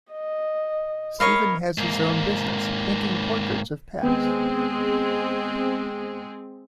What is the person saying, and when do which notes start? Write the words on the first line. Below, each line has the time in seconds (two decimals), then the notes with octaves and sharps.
Steven has his own business: painting portraits of pets.
0.12 D#5
1.20 A#4 C#5 D#5 F5 B5
1.78 G#2 A#3
4.02 D#2 G#3 B3 C4 G#4 G5